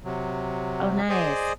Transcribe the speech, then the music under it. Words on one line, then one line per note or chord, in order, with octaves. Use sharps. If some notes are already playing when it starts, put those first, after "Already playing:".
Oh, nice.
C3 F#3
G#4 C5 D5 D#5